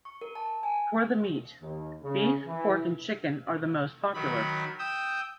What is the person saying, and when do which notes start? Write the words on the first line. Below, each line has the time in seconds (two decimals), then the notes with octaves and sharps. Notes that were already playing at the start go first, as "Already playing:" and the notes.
For the meat, beef, pork, and chicken are the most popular.
0.05 C#6
0.21 A#4
0.35 A5
0.63 G#5
1.61 D#2
2.02 C#3
2.46 E3
4.14 D#3 F#3 B5
4.79 G5 D#6 E6 G6